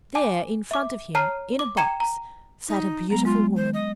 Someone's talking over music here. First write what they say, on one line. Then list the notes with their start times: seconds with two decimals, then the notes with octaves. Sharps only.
There, in front of him, in a box sat a beautiful woman.
0.15 G#5 A5 D6
0.71 E5 D6
1.15 C#5 A5 A#5 F6 C7
1.59 D6
1.77 G5 A#5 G#6 C#7 E7
2.00 A#5
2.69 D#4
3.10 F#3 G#3 B3 A#5
3.25 G#3 F4
3.56 C5
3.74 D#5